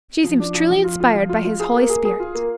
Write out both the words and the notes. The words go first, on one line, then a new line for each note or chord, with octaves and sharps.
She seems truly inspired by His Holy Spirit.
F3
D4
F3
F3
F4
F4
F3
F4
F4
G#4
A#3
G#4
G#4
F4
A#3